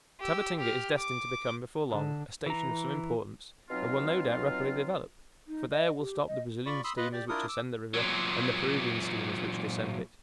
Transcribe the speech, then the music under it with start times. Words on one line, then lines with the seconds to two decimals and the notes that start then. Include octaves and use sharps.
Tabatinga is destined to become before long a station of some importance, and will no doubt rapidly develop, for there will stop the Brazilian steamers which ascend the river, and the Peruvian steamers which descend it.
0.20 G4 E6
0.58 G4 F6
0.98 D6
1.90 D3
2.46 E3 A#5
3.70 B2 F#3 C4 D#4 F4
5.47 D#4
5.71 D#5
5.99 G4
6.27 D#5
6.66 F4 D5 B5 C#6
6.84 B5 C6 D#6 E6
6.97 F4 B4 D#5 B5
7.12 G4 D5
7.29 D4 E4 F4 A#4 D#6
7.48 D6 E6
7.94 A#2 F#3